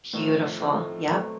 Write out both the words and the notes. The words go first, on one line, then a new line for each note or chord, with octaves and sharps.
Beautiful, yep.
A2 F3 A3 C4 D#4
A2 F3 A3 C4 D#4
B2 F#3 A3 C4